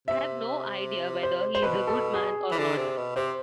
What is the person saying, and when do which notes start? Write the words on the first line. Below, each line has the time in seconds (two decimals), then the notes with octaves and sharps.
I have no idea whether he is a good man or not.
0.08 C3 E5
1.23 C5
1.55 C5
1.62 B2 B4
1.87 A4
2.14 G#4
2.52 E3
2.58 D3
2.78 C3
2.97 B2
3.16 C3 C5